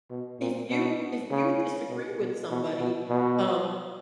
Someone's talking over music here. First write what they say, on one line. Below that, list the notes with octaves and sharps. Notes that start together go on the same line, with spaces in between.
if you if you disagree with somebody, um,
B2
A#2
B2
C#3
B2
B2
B2
B2
B2